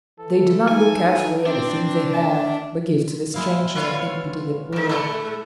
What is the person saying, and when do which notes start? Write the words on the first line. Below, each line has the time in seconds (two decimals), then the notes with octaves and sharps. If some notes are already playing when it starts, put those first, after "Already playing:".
They do not look carefully at the things they have, but give to the stranger and pity the poor.
0.20 E3 A4
0.68 D#4 G#5
1.46 C4 D4
2.13 A2 E5 A5
3.34 A#2 F#3 G#3 E4 F5
3.75 E4 F4 B4 C#5 F5
4.72 E3 G3 A3 D#4
4.89 G#3 E4 A4